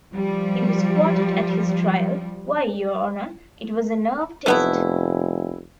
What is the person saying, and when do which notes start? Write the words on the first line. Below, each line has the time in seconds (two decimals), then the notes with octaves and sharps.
He was quoted at his trial: Why, Your Honor, it was a nerve test.
0.14 F3 G3
4.46 F1 A3 B3 E4